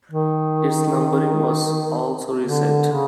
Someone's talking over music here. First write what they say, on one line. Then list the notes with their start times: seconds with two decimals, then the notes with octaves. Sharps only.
Its numbering was also reset.
0.11 D#3
2.45 D3
2.92 C#3